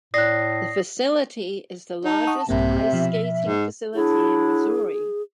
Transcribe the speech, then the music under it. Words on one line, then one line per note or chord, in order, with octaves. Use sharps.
The facility is the largest ice skating facility in Missouri.
A2 D5 D#6 F#6 A#6 C7
D#4 A5
F#5 C#6 D#6
A#1 G2 C3 A#3 E5
B2 F3
G#2
F#3 D4 E4 G#4